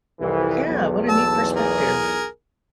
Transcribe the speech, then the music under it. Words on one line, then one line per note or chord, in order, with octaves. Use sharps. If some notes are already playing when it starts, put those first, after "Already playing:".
yeah, what a neat perspective.
C2 F2 E3
B1 E2
A5 E6
G#4 A#4